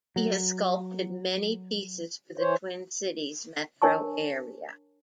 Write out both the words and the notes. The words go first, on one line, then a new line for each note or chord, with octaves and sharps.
He has sculpted many pieces for the Twin Cities Metro area.
F#3
E3 C5 C#5
D4 A#4 C#5 G#5 A5 C#6